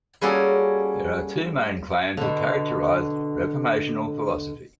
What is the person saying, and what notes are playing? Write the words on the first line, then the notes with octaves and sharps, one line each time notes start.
There are two main claims that characterise reformational philosophy.
G3 A#3 C#4 F#4 G#4 A4
B2 D3